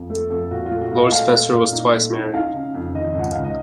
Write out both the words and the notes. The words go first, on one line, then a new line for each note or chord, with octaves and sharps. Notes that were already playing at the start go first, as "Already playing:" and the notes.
Lord Spencer was twice married.
Already playing: F2
A3 A4
F2 A4
A#2 F#4
F4
A3
F#4
A#2
D#5
A3 F5
A3
A#2
D#4
A3
D#4
D#4 F5
C#3
F2
D#3 D#5
C#2 F#5
C#2 F5
D#5